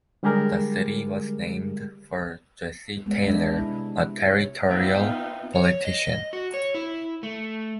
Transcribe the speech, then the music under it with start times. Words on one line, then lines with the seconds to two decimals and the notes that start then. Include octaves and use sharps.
The city was named for Jesse Taylor, a territorial politician.
0.23 D3 G3 G#3 G4 G#4 A#4
3.06 G#3 B3
3.27 G#3 D4 D#5 E5
3.58 C3 E4
4.26 C#5
4.69 B3 C4 D#4 F4 E5 G5
5.55 C#5
5.85 D#5
6.33 F#4
6.54 C#5
6.74 E4
7.23 A3